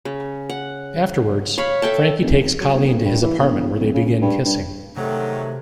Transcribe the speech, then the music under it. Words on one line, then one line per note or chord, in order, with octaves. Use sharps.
Afterwards, Frankie takes Colleen to his apartment where they begin kissing.
C#3
F#5
C#5 F5 B5
A4 E5 G5 A5
F1
G#1
F#3
G1
G2
E3
E1
D1
C#3
C#2
G2
G2
G#2 C3 D#3 F#3 A3